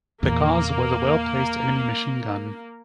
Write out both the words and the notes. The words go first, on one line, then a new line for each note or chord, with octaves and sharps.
The cause was a well placed enemy machine gun.
E2 A#2 A#3